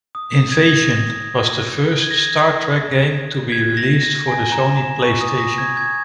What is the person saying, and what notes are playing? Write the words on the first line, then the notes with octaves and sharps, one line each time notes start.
"Invasion" was the first "Star Trek" game to be released for the Sony Playstation.
D#6
G#6
A#6
G#6
G#6
A#6
G#6
G#6
A#6
A#6
G#5
A#5
A#5
C#6
D#6
A#6
G#6
G#6